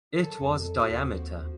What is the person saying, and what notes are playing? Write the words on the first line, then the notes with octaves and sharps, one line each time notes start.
It was diameter.
F#2 A4
F2
D#2 F3 C4 F#4